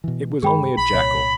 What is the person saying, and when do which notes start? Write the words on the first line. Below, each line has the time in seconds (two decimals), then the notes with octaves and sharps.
It was only a jackal.'
0.04 B2 E3
0.43 G2 D#3 G#3 G#4 G5 B5
0.77 B1 B5
0.93 C2 A#2 C#5